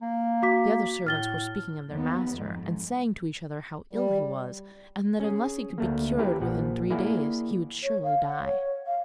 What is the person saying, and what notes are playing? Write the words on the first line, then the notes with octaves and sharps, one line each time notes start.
The other servants were speaking of their master, and saying to each other how ill he was, and that unless he could be cured within three days he would surely die.
A#3
F#4 D6 B6
A2 F6 A6 G7
D#2 B3
F2 G#2
G3
C#4 G#4
D2 A3 A#3
C#4 E4 G4 A#4 B4
A#1 F3 F#5
A#3 E4 G#4 D5 F#5 G#5
C#5
F5
F#5
C#5
F5